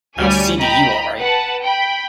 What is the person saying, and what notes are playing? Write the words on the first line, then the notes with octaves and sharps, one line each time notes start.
I'll see to you all right.
D2 G3 C#5 G#5
D#5 G5 A#5 B5
B4 F#5 A5
G5 B5